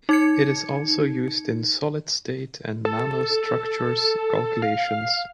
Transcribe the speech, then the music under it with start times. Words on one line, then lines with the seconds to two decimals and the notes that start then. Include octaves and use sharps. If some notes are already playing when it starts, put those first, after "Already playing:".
It is also used in solid state and nanostructures calculations.
0.09 D#4 G#6 C#7
2.85 A4
4.62 F5